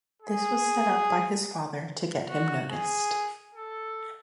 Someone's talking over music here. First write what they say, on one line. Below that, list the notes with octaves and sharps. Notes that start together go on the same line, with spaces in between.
This was set up by his father to get him noticed.
G#4
F#4
G#4
A4